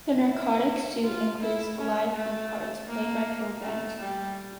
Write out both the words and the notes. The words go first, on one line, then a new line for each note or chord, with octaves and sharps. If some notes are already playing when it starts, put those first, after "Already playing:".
"The Narcotic Suite" includes live flute parts, played by Phil Bent.
E4
F4
E4
C#4
A3
A#3
A3
G3